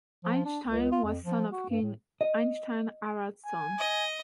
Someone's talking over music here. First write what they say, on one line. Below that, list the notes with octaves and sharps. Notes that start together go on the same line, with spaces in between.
Eystein was son of King Eysteinn Haraldsson.
F3
D4
C#2
F4
F2
F3
F#4
G2
A2
D#5
G#5
D#5